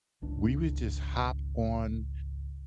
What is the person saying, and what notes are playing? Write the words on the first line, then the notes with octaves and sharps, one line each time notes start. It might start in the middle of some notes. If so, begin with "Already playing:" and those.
we would just hop on
G#1 C#2 D4